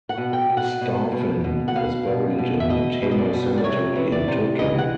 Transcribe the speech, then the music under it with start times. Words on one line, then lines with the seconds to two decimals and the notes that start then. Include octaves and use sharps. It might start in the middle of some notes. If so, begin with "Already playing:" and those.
Starffin is buried in Tama Cemetery in Tokyo.
0.09 F#5
0.17 B2
0.33 G5
0.50 B2
0.57 F#5
0.81 B2
1.12 B2
1.44 B2
1.68 F#5
1.75 B2 F5
2.07 B2
2.38 B2
2.60 E5
2.69 B2 D#5
3.02 B2
3.11 D#5
3.18 D5
3.33 B2
3.57 D5
3.64 C3 C#5
3.95 E3
4.12 D5
4.28 C3
4.59 E3 D#5
4.78 F#5